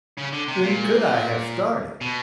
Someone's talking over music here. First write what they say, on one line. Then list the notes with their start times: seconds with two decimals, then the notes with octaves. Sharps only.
When COULD I have started!
0.18 C#3
0.33 D3
0.48 C3
0.63 A#2
2.01 B2